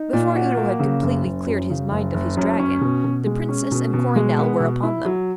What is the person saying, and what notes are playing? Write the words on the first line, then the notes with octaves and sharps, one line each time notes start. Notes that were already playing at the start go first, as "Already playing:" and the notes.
Before Udo had completely cleared his mind of his dragon, the Princess and Coronel were upon them.
Already playing: D#4
A#2
F#4
A#3
C#3
F#1
F#1
F#2
C#3
F#1
F#1
F#2
C#4
B2
B2
G#3
C#4
B2
B2
G#3
B3
B2
E4
F#3